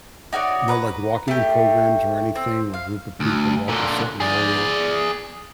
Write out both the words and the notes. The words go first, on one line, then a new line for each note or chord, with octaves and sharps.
no, like, walking programs or anything where a group of people walk a certain area
D#4 F#4 C#5 D5
B4 A#5
A3 G4
C4
F5
D2
A#2 D3
G#4 D5